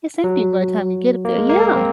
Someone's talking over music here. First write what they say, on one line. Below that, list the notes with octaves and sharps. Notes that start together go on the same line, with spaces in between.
It's empty by time you get up there. Yeah.
F#3
A#3
G#3
A#3
C4